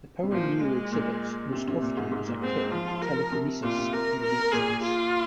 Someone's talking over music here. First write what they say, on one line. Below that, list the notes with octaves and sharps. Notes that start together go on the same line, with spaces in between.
The power Neo exhibits most often is akin to telekinesis in the Matrix.
C3
A#2 F3
G#3
A#2
C3
C3
A#2
G#2
G#2
A#2
G#3 C4
G#3
F3 F4
F3
A#4
C3
A#2 F4
C3
A#4
A#4
A#2 G#4
A#2
F4